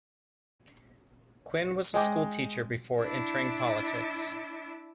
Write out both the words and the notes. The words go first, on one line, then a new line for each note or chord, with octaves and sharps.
Quinn was a schoolteacher before entering politics.
G#3 D#5 G5 D6
D4 E4